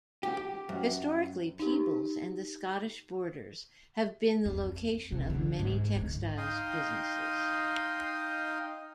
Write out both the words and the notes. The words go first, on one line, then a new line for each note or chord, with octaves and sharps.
Historically Peebles and the Scottish borders have been the location of many textiles businesses.
G4
F#2
D#4 G4
F2
C3
D3
G#2
D3 D#4
D#4 D#5 F5 G5 C6 D#6